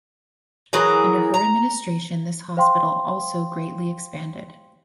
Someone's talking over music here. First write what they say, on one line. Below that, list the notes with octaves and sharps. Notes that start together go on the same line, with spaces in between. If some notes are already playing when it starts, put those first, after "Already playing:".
Under her administration this hospital also greatly expanded.
E3 F#3 G#4 A#4
A#5
C5 F5 G5 C6